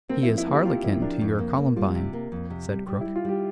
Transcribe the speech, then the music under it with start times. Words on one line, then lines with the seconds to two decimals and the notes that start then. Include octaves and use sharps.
"He is harlequin to your columbine," said Crook.
0.09 A#3 C4
0.23 E4
0.28 F3
0.38 E4
0.47 A#3 G4
0.65 F4 A#4
0.83 F3 E4
1.02 D4 A#4
1.21 F2
1.39 A#3
1.58 A#3
1.76 G3 F4
1.95 C3
2.13 A#3
2.32 F2
2.50 C3
2.68 G3
2.87 G3 G4
3.01 E4
3.05 G3
3.16 F4
3.25 G3 G4